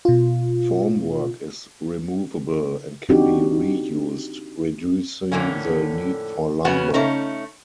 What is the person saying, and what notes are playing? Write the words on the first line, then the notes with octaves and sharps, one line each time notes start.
Formwork is removable and can be reused, reducing the need for lumber.
B2 F4
C4 D4 D#4 F#4 G4
F2 A2 D3 A#3 C#4
C#3 B3 C#4 F#4
C#3 A3 C#4 D#4